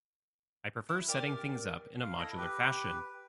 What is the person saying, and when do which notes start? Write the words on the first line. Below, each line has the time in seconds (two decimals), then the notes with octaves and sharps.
I prefer setting things up in a modular fashion.
0.89 E4
1.08 G4 A#4 D5
2.02 F5
2.18 E4 A4 D#5
2.37 G4 B4